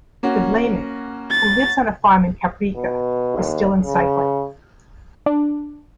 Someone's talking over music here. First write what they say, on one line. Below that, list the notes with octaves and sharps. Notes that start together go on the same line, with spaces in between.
De Vlaeminck, who lives on a farm in Kaprijke, is still in cycling.
A#3 C#4 F#4
A6
B2
D#2
C#3
D4